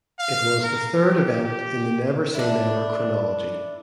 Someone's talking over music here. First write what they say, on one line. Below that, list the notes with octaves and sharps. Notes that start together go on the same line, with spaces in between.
It was the third event in the Never Say Never chronology.
F5
A#4
G4
G4
D4 E4